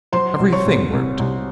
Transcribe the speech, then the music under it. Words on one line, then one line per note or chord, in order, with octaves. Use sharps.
Everything worked.
F#3 C5 C6
C2
C#5 C#6
C2
C2
C2